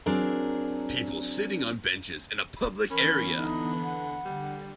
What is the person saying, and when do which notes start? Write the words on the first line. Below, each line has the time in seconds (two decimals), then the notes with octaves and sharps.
People sitting on benches in a public area.
0.06 F#3 C4 D4 G#4 A#4
2.90 E3 B3 C#4 A#4 B5
3.38 D3 D#4
3.83 F#5
4.25 D3 G3